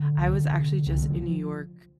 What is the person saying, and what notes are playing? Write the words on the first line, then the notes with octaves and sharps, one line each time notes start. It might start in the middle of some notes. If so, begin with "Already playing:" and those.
I was actually just in New York,
Already playing: D3
C2
C3
C2 D3
A3
G3
F3